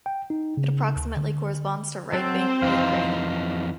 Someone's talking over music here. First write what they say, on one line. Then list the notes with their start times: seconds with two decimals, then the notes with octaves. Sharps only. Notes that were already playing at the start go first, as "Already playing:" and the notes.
It approximately corresponds to Right-bank Ukraine.
0.06 G5
0.30 D#4
0.57 C#3
0.96 D2
1.17 D3
2.13 F#3 C4 A4 C5 F#5
2.62 F2 E3 D#4 F5